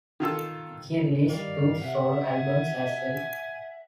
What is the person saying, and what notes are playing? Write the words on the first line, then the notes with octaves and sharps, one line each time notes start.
Key released two solo albums as well.
D#3 F4 A4
D#3 G3 D5 F5
C3 E5 F#5
G#5